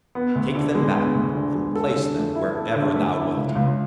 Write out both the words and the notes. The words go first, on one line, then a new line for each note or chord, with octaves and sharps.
Take them back and place them wherever Thou wilt!
B3
D2
D3
G#3
B3
D2
D3
G#3
A4
D3
A3
E4
A4
D3
A3
E4
C#2
C#2